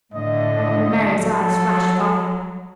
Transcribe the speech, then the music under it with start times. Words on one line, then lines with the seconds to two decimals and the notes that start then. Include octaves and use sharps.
Mary's eyes flashed fire.
0.14 A2 D3 A3 D#5
1.19 F#3 A4